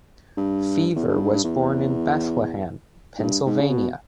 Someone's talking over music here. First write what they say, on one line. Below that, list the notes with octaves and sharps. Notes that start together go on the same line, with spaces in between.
Feaver was born in Bethlehem, Pennsylvania.
G2
E2
G2
G2
E2
G#2
G2
G#2
C#3
B2